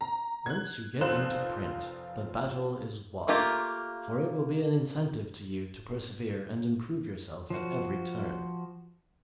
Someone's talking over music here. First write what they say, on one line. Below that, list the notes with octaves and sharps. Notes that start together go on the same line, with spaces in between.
Once you get into print the battle is won, for it will be an incentive to you to persevere and improve yourself at every turn.
A#5
F#6 G#6
F1 F3 F4 C5 F#6 E7
A3 A#3 F4 G4
F3 F#4